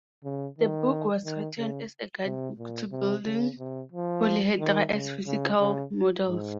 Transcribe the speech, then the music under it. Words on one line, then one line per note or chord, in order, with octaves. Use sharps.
The book was written as a guide book to building polyhedra as physical models.
C#3
D#3
D#3
C#3
C3
A#2
C3
C#3
C3
F3
D#3
C#3
C#3
C#3
G#2